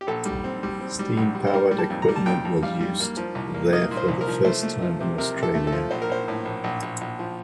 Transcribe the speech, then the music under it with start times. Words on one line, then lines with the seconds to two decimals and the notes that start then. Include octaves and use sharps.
Steam-powered equipment was used there for the first time in Australia.
0.01 G4
0.07 A#1 A4
0.25 G3
0.44 C4
0.63 G3
0.81 C4
0.99 G3
1.17 A#1
1.35 G3
1.47 C5
1.54 G3 A#4
1.71 G3
1.79 A5
1.90 F2
2.02 A#5
2.08 G3
2.16 A5
2.26 F2 G5
2.45 F2
2.63 G3 F5
2.81 G3
3.00 A#3
3.17 F3
3.35 C2
3.54 A#3
3.72 A#3 D#5
3.91 A#2
3.97 C5
4.08 C2
4.21 A#4
4.27 F3
4.45 A3 C5
4.63 A3
4.82 F3
5.01 C3
5.18 C3 A#4
5.36 C3
5.43 A4
5.55 A3
5.67 A4
5.73 F3
5.91 A#1 C5
6.02 A#4
6.09 A#1 C5
6.28 A2
6.45 A#1
6.64 A#1
6.82 A#1
7.01 A#1
7.19 F3